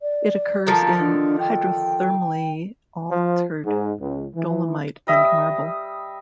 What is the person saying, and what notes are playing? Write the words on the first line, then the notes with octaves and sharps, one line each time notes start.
It occurs in hydrothermally altered dolomite and marble.
D5
D3 D#3 F3 A#5
D4
G5
F3
G#2
C#2
E3
G3 D#5 E5 D#6